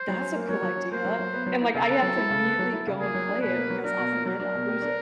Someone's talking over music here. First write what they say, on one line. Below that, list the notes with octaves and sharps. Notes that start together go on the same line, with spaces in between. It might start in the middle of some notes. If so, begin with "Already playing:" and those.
"That's a cool idea," and, like I have to immediately go and play it because I'll forget it I'll lose it,
Already playing: C5
F#3
C#4
A#3
F#3 C#5
F#3
C#4
A#3 C5
F#3
F#3
B3
F#3
E4
C#3 A4
B3
F#3
E4
C#3
B3
F#3
E4
C#3
A#3 G#4
F#3
D4
B2 B4
A#3
F#3
D4 A#4
B2
A#3
F#3 A#4
D4
B2
G4
D4